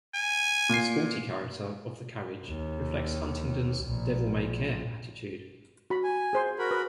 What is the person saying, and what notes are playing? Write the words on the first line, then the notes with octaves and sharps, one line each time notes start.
The sporty character of the carriage reflects Huntingdon's devil-may-care attitude.
G#5
A#2 C7
D#2
A#1 A#2
F#4 B5
G#5
G#4 C5 C6
F#4 A#4 B5
B4 D#6